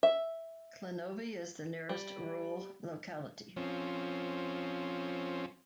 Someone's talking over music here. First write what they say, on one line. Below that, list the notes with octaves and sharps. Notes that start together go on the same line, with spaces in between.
Klinovy is the nearest rural locality.
E5
G3
F3 C4 C#4